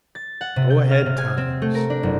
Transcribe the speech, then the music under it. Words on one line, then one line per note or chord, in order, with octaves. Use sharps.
Go-ahead Times!
A6
F#5
C3
G6
F6
C3
G#5
C4
A3
A#4
D4
F#1